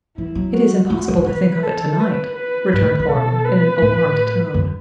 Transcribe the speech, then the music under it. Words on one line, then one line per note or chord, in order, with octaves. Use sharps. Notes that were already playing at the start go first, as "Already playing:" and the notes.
"It is impossible to think of it to-night," returned Barbara in an alarmed tone.
E3 E4
F#3
F#4
A3
A3
G3
E3 B4
A4
B4
B4
G2 B4
A2
D3
B2 A4
B4
A2
F#2